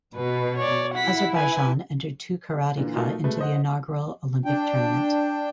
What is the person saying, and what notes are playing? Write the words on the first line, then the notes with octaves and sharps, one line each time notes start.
Azerbaijan entered two karateka into the inaugural Olympic tournament.
B2 B4
C#5 D5
E4 F#5 B6
B4 G#5
A#2 D3 E3
B2 A3 A#3 D#4 F4
B2 G#3 A3 B4
C5 D#5 F#5
D4 G5